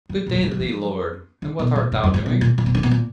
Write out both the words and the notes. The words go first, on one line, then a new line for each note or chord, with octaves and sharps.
'Good-day to thee, lord; and what art thou doing?'
G#2
A#2
F#3
G#3
F#3
F3
D3
B2
A#2
G#2
F#2
G#2
B2
A#2
A#2
B2
D3
B2
A#2